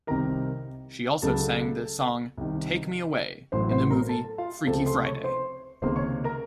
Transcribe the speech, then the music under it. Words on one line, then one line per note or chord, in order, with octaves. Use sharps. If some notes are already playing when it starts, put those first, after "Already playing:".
She also sang the song "Take Me Away" in the movie "Freaky Friday".
C2 C3 D#3 A#4 A#5
C#2 C#3 F#3 A3 A4 A5
C2 C3 D#3
A1 A2 F#3 C5 C6
C5 C6
A#4 A#5
A4 A5
F4 F5
C#2 C3 F3 A3 A4 A5
C5 C6
C#5 C#6
C5 C6
C#2 C3 D#3 A#3 C5 C6
C#5 C#6
A#4 A#5